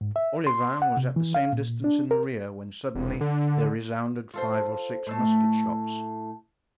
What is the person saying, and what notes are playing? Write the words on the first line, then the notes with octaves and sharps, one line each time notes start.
Olivain was at the same distance in the rear, when suddenly there resounded five or six musket-shots.
G#2
E5
C6
F#5
C3
E3
F5
A#2
D4
A#4
E1
D3
F4 A4 C5
A2 A3